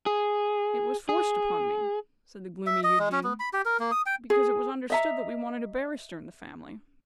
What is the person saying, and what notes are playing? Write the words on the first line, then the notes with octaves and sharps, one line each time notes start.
'It was forced upon me,' said the gloomy Eugene, 'because it was understood that we wanted a barrister in the family.
G#4
G#4
E5
D#5
G#3
C#4
B3
B5
G4
A#4
A#3
D#6
G5
G#4
D#5 E5 A#5